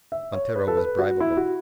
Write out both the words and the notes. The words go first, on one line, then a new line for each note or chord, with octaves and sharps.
Montero was bribeable.
E5
C#5
B4
A4
B4
F#4
E4
F#4